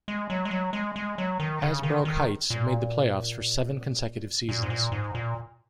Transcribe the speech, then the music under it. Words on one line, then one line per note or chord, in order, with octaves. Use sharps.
Hasbrouck Heights made the playoffs for seven consecutive seasons.
G#3
F#3
G#3
F#3
G#3
G#3
F#3
D#3
C#3
D#3
D#3
A#2
A#2
G#2
A#2
G#2
A#2